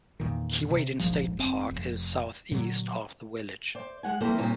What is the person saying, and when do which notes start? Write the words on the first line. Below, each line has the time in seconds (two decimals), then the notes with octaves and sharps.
Keewaydin State Park is southeast of the village.
0.20 E2 A#2 D#3
0.71 C3
1.00 E1 A#1 G#2 F3
1.37 F1 C4
1.71 F1
2.51 A#2 D3 E3 F#3
3.75 C5 D5
4.03 G#3 F#5 G#5
4.21 F2 E3 G3 A#3 A4 C5
4.37 A#2 C#3 G3 C4 C#4 D#4